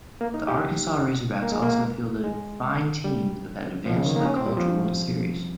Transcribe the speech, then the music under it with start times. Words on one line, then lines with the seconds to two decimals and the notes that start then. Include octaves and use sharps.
The Arkansas Razorbacks also fielded fine teams that advanced to the College World Series.
0.21 A#3
0.34 D#4
0.48 G4
1.43 A#3
1.52 G#3
1.62 A#3
2.24 G#3
3.04 G3
3.86 F3
3.96 C#3
4.06 D#3
4.16 A#3
4.21 D#4
4.25 C#4
4.36 C4
4.46 G3
4.57 F3